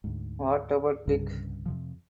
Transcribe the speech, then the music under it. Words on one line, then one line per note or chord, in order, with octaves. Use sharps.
What About Dick?
D2 G#2
C2 G2 C#3
F2 C3 F3